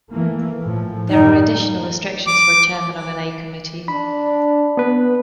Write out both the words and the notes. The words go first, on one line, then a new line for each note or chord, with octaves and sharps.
There are additional restrictions for a chairman of an A Committee.
E3 A3 A#3
A2 F3
F#2 D#3 D#4
D6
D4 B5
B3 B4